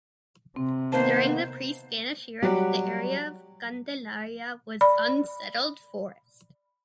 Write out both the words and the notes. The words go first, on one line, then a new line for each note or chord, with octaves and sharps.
During the pre-Spanish era, the area of Candelaria was unsettled forest.
C3 C4
D#3 A#3 B3 C5 A5
F#3 G3 F#4 G4
D5 B5